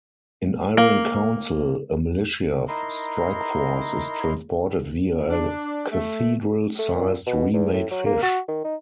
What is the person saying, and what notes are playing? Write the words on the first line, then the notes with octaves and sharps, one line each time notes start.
In "Iron Council", a militia strike force is transported via a cathedral-sized Remade fish.
A#3
D#4 E4 A#4 C6
D4
A3
A3
A#2
B2
E2
A2
F#3
A#3
F#4
D#3
D#4